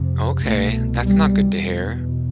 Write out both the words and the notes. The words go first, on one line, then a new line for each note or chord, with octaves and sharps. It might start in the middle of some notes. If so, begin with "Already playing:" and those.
Okay, that's not good to hear.
Already playing: F2 C3
C2 B2 A3
G3
E2 B2